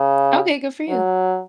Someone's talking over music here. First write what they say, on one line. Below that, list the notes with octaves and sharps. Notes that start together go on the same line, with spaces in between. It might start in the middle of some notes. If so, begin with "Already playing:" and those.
Okay, good for you.
Already playing: C#3
F#3